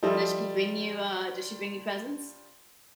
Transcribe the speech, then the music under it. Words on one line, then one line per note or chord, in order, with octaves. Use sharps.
Does she bring you, uh, does she bring you presents?
F3 G3 E4 A4 D#5